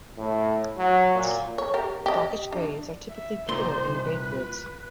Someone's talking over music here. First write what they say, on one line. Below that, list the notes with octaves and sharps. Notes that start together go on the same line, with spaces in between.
Vakhsh graves are typically poor in grave goods.
A2
F#3
A#2
C#5
G4 A#4
G4 D#5
D4
E5
C2 A#2 D#4 C5 C6
B4